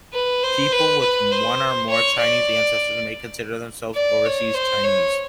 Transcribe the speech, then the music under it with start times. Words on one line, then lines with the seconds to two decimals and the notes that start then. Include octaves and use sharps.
People with one or more Chinese ancestors may consider themselves overseas Chinese.
0.14 B4
0.43 C5
0.73 B4
1.02 B4
1.31 C5
1.90 C#5
2.20 D5
3.96 D5
4.25 C#5
4.55 C5
4.84 C#5